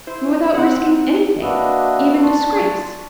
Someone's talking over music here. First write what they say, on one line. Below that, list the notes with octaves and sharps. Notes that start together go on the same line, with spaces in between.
And without risking anything--even disgrace!
E4 C5
C4 F#5
A#3 D4 F#4 B4 D#5 E5
D4 A5 C6 C#6